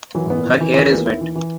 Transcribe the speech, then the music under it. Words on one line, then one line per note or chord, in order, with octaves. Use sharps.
Her hair is wet.
F#2 E3 F#3
G#2
B3
A#2
E3 E4
D#3 E3
C#3
D#2 D#3 E3
B3
E4
E3
E3